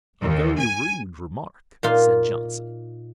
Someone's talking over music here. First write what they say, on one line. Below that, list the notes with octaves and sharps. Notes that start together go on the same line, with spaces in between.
"A very rude remark," said Johnson.
D#2
G#5
A#2 D#4 F4